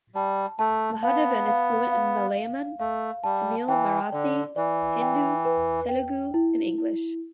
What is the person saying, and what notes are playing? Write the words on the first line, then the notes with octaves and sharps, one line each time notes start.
Mahadevan is fluent in Malayalam, Tamil, Marathi, Hindi, Telugu and English.
G3 A5
A3 A5
B3 F5
F5
F5
F5
A3 F5
G3 A5
E3 G5
D3 D5
E3 D5
G5
B4
G5
E4
E4